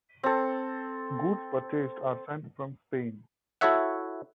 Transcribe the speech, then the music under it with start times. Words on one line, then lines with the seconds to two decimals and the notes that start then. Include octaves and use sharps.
Goods purchased are sent from Spain.
0.23 C4 A4
3.61 E4 F#4 A4 C#5 E5 F#5